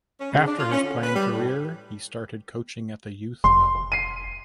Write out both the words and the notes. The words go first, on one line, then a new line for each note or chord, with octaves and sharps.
After his playing career he started coaching at the youth level.
C#4
C#3
D4
F4
C#4
D3
B4
G3
A2
F1 C6
C7 D#7